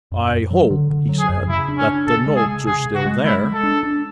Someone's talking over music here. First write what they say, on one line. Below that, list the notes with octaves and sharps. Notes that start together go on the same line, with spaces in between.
"I hope," he said, "that the notes are still there?"
F#2
F#2
F#3
D3
D3
F#3
G#4
F#2
C#3 E4
D4
C#4
D4
C#3 A4
G#3
G#4
C#3
C#3 G#4
C#3
F#4
G#3
G#3 E4
G#3
A4
D4
D4